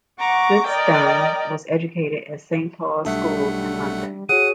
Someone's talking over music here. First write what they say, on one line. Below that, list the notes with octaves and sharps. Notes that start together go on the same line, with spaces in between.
Goodstein was educated at Saint Paul's School in London.
F#5 A#5 C#6 D6
A#4 D5 D#5 G5
B1 G3 A3 D4 E5 F#5
F#4 G#4 C#5 F#5 D#7